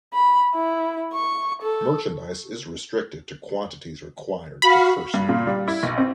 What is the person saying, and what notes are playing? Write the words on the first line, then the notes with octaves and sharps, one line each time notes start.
Merchandise is restricted to quantities required for personal use.
B5
E4
C#6
A4
F#4 F5 B5
G2
A#2
G3
E4
B1
C4